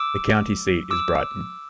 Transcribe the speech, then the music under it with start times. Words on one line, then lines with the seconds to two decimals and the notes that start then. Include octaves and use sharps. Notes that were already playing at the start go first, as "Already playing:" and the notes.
The county seat is Brighton.
Already playing: D6 E6
0.90 D6 E6